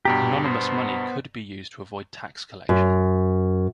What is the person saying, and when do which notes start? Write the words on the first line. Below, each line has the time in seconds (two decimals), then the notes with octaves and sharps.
Anonymous money could be used to avoid tax collection.
0.05 G2 B2 G4 A#5
0.46 B3 C5
2.69 F#2